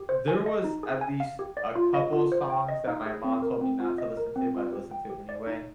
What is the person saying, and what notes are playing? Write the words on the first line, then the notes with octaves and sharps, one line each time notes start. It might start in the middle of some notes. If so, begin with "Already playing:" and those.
There was at least a couple songs that my mom told me not to listen to, but I listened to it anyway,
Already playing: G4
C5
G#5
D#5
D#4
G#4
G#5
F5
G4
D5
F4
D#5
F4
C5
G5
D#5
D#4
G#4
C4
A#4
C4
F4
D#5
A#4
C4
F4
G4
G5
G4
D5
D#4